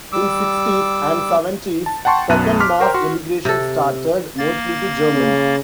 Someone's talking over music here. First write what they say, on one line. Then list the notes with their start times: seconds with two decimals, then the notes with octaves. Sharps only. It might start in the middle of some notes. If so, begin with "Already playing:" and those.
In sixties an seventies, second mass emigration started, mostly to Germany.
0.12 G3 D6 E6
1.86 A5
2.05 F#5 G5 A5 C6 C#6
2.29 B1 F#2 B3 A5 F#6 D#7
2.60 C6 D6 F6 B6
2.80 A#4 C5 G5 A#5 C6
2.94 F#4 C6
3.45 C3 A4
4.38 A#3 A6
5.13 C#3